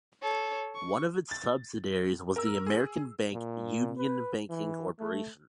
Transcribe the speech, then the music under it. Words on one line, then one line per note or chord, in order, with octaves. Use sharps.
One of its subsidiaries was the American bank Union Banking Corporation.
A4 C#5
C#6
A6
A#4 E6
G#4
A#2
B4
E3
A3